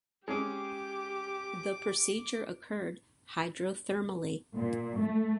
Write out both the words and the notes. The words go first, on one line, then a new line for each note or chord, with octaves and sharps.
The procedure occurred hydrothermally.
G#3 C#4 G4 G#4 D6
A#2
A3